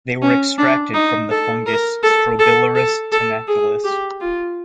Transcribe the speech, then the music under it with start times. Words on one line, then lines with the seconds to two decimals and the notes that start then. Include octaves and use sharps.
They were extracted from the fungus "Strobilurus tenacellus".
0.22 C#4
0.58 D4
0.94 D#4
1.31 A4
1.66 A#4
2.03 A4
2.39 A4
2.75 A4
3.12 A4
3.48 G#4
3.84 G4
4.21 F4